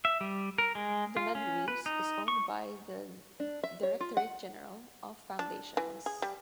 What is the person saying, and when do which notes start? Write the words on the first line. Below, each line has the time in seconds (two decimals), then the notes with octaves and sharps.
The medrese is owned by the Directorate General of Foundations.
0.05 E5
0.21 G3
0.58 A#4
0.75 G#3
1.17 F4
1.35 C#4
1.68 B4
1.86 D#4
2.28 C#6
3.40 D4
3.63 E5
3.83 C#5
4.00 F4
4.17 F#5
5.39 D4
5.77 E3
6.06 G#4
6.22 G3